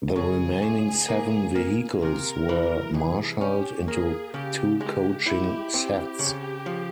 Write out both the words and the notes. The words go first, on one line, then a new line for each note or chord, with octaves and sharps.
The remaining seven vehicles were marshalled into two coaching sets.
C#3 G#4
C#2
A#3
A#3
C3 A#4
E3
C2 G#4
C#4 G4
A#3 G#4
C#3 G4
G#3 G4
E4
C4
C#3
F3